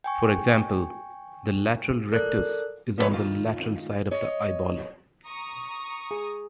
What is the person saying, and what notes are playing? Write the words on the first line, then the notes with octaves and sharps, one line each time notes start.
For example, the lateral rectus is on the lateral side of the eyeball.
G5 G#5 C#6
A4 A#4 D5 F#6
F3 A3 B3 B4 C#5
D#3 F4
C#5 D#5
A#5 C#6 D#6
G#4